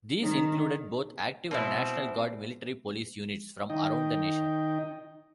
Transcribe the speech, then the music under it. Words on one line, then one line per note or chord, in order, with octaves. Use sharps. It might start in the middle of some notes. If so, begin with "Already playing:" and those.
These included both active and National Guard Military Police units from around the nation.
D#3
B2 C4 E4
D#3 D#4 D#5 G5